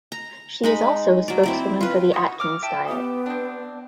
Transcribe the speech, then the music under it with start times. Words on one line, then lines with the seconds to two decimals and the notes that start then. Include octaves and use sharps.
She is also a spokeswoman for the Atkins diet.
0.12 A#5
0.63 G#3 D#4 B5
1.28 F#3 D5
1.43 C4 E4 D5
1.81 F4 B4
2.12 D#4 F#4 C#5
2.40 D6 F6
2.62 E5 G5 A5
2.88 B3 D#4 G4
3.26 C4 D4